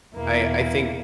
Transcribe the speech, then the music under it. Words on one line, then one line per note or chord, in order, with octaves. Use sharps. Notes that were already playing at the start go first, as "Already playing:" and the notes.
I I think
E2 B2 A#3 E4